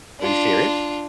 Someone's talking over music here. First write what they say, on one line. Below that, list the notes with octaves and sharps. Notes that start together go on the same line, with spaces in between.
Are you serious?
D4 F4